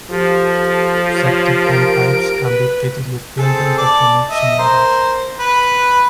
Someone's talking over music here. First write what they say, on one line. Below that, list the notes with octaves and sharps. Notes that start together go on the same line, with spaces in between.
Septic vent pipes can be fitted with filters that remove some odors.
F3 G4 A4
F4 G4 C#5
A#4 D7
B4
C4 G#4 A4
D5 A5 D6
D#5 E5
A#4 C5
B4